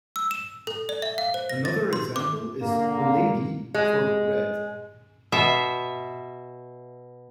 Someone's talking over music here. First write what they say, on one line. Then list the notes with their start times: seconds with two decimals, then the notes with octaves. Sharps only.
Another example is "buledi" for "bread".
0.16 E6
0.31 E7
0.67 A4
0.89 D5
1.02 E5
1.18 F5
1.34 C5
1.49 A#6
1.65 A6
1.93 C6
2.16 D6
2.62 D3 A#3
3.74 G#3
5.32 B2 E5